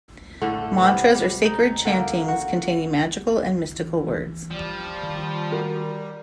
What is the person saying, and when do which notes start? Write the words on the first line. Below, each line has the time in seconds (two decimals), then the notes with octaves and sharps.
Mantras are sacred chantings containing magical and mystical words.
0.42 A2 D3 A3
0.78 C3 B3
1.15 G3
1.45 D#4
1.85 D3 A#3
2.28 F#4
3.79 E3
4.51 F3 G3
5.03 D#3
5.52 F#4 A#4